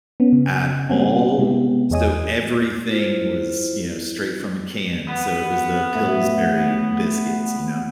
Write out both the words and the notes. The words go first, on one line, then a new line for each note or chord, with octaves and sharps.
at all, so everything was, you know, straight from a can. So, it was the Pillsbury biscuits, you know.
B3 C#4
C#3
G3 A#3 C4 C#4
C3 G#3 B3 E4 G4
E2 G#4 C#5 D#5 G#5 D#6
E4 F4 C5
B3 F#5
A2